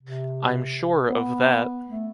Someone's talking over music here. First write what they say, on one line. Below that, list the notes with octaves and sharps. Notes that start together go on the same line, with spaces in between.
I’m sure of that.
C3
B3
A3